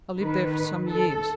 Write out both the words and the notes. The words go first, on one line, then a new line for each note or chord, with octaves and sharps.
I lived there for some years.
D#3 B4
A4